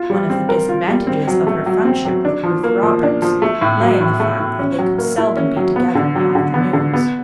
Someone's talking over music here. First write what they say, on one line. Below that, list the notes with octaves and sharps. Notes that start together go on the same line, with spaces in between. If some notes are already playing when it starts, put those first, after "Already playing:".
One of the disadvantages of her friendship with Ruth Roberts lay in the fact that they could seldom be together in the afternoons.
Already playing: F4
G3
C4
A#4
F4
G3
C4
F#3
A3
F#3
C4
F#3
D4
F3
A#3
F3
D4
F3
A3
A2
F#3
A2
A3
A2
C#4
F#3
A#3
E4
C#4
F#3
B3
D3
F#3
D3
B3
D3
B3